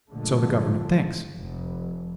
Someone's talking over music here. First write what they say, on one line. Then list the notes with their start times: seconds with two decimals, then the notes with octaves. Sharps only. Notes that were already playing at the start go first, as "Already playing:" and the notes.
So the government thinks.
0.11 G2 A#2 D3 F3 G#3 A3
1.35 F1